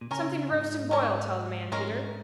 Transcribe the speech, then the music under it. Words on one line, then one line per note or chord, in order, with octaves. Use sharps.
"Something to roast and boil, tell the man, Peter."
A#2
C#3 C#4 A#4 C#5
G#2
C#4 A#4 C#5
G#2 G#3 C#4 A#4